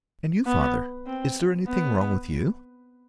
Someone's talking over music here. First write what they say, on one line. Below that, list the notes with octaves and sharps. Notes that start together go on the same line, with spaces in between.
"And you, father--is there anything wrong with you?"
B3
C4
B3